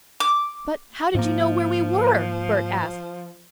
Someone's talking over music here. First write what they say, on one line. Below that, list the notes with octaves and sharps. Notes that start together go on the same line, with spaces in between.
"But how did you know where we were?" Bert asked.
D6
G#2 F3 A#3